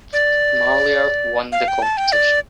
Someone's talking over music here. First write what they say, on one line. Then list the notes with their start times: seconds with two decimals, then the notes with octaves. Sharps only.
Marlier won the competition.
0.13 D5
1.52 F5
1.68 G5
1.82 A5
1.97 G5
2.12 D5